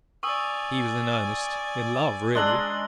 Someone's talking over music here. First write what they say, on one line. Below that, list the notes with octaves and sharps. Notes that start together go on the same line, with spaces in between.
He was in earnest: in love, really.
D5 G#5 C#6 D#6 E6
G#3 D4 A#5 E6 F#7 G7